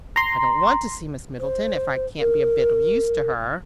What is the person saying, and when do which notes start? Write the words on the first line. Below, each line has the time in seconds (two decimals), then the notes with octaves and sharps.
"I don't want to see Miss Middleton, if I can't be a bit of use to her."
0.16 A#5 C6
1.39 C5
2.19 A#4